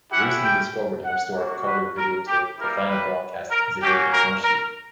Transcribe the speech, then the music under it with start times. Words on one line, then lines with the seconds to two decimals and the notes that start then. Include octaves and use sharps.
The recently discovered and restored color videotape of the final broadcast is available commercially.
0.11 C#4 E4 G4 F#5
0.43 G5
1.04 F#5
1.34 A#3 D4 F#4
1.66 B4
1.97 A#4
2.27 G4
2.58 G3 A#3 E4 G4 A#4
2.89 B4
3.51 A#4
3.81 A#3 C#4 F#4 G4
4.12 A#4
4.43 A#4